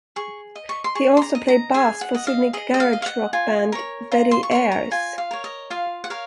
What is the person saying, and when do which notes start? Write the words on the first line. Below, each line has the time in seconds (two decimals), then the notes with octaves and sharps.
He also played bass for Sydney garage rock band Betty Airs.
0.16 G#4 C#6
0.56 D#5
0.69 C#6
0.84 C6
0.95 G#4 C#6
1.17 C6
1.22 A#5
1.35 D#5
1.48 A#5
1.74 G#4 G#5
2.01 F#5
2.14 D#5
2.27 F5
2.53 G#4 D#5
2.74 D#5
2.80 F5
2.93 D#5
3.02 F5
3.06 F#5
3.33 F4 G#5
3.72 A#4 C#5
4.12 F4 A#5
4.31 C6
4.43 C#6
4.51 A#4 C#5 C6
4.72 A#5
4.91 F4 G#5
5.18 F5
5.31 A#4 C#5
5.44 D#5
5.70 F4 F5
6.04 F#5
6.10 A#4 C#5 F5